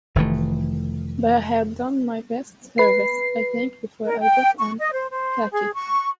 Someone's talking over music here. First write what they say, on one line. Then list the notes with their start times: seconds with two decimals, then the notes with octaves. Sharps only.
But I had done my best service, I think, before I put on khaki.
0.15 F1 D#3 E3 A3
2.78 B4 C7
4.04 A#4
4.21 G5
4.59 C#6
4.79 D#5
4.92 C5
5.11 C5
5.52 G#4
5.75 C#6